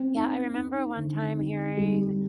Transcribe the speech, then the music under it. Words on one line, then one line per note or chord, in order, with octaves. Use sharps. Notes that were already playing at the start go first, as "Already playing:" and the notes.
Yeah, I remember one time hearing,
Already playing: C4
D#4
D#4
D3
D#4
G3